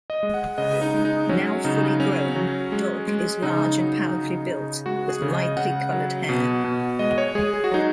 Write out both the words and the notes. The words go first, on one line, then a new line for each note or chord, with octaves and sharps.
Now fully grown, Dog is large and powerfully built with lightly colored hair.
D#5
G#3
F#5
C#3 D#5
D#4
G#3
D#4
F#3 C#4
C#3 D#4
F#3 C#4
F#3
G#3
G#3
C#3 D#4
F#3
C#3
C#3
G#3 F#4
G#4
C#3
D#5
C#3 F#5
F#3
B2
B2
G#3 D#5
C#5
G#3 G#4
G#4
F#4
F#3 D#4